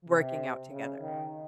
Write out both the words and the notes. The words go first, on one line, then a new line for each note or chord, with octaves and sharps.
working out together.
C3
C#3
D#3